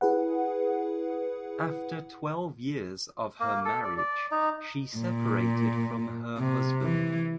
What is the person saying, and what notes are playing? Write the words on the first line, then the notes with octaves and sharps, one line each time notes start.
After twelve years of her marriage she separated from her husband.
E4 G#4 B4 F#5
A#3
A4
D5
D5
D#4
A#2
C3
E3